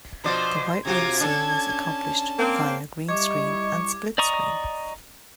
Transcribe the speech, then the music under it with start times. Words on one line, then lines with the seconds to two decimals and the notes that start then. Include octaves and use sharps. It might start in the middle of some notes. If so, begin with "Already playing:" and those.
The "White Room" scene was accomplished via greenscreen and split screen.
0.24 B2 F3 C5 D5
0.85 C3 F4 F#4 A#5 D6 G#6
1.21 C#4 D4 A4 A5
2.39 A#3 C4
3.08 G3 E4 D#5 C#6 D6 G#6
4.18 D5 D#5 A#5 C#6 D#6